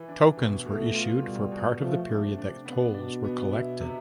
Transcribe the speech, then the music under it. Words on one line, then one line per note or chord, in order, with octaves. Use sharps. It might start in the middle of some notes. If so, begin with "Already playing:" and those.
Tokens were issued for part of the period that tolls were collected.
Already playing: E3
D4
B2
B2 A3
F4
B2 G3
B2
F3 A3
C3 D4
D4
B3
B2 D4
B3
E4
C3